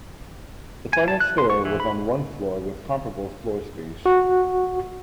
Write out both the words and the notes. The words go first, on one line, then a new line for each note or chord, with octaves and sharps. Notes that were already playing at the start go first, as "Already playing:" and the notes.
The final store was on one floor, with comparable floor space.
G#5
A5
F#6
C6
C#6
E3
B5
F#4